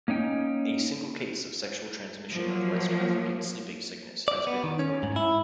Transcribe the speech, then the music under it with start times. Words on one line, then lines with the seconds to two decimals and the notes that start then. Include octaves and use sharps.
A single case of sexual transmission of West African sleeping sickness has been reported.
0.08 A#3 C#4 D#4 G5
2.34 F3 F#3 A#3
4.28 D5
4.47 B3
4.64 D#3
4.79 C#4
5.03 G#2
5.16 E4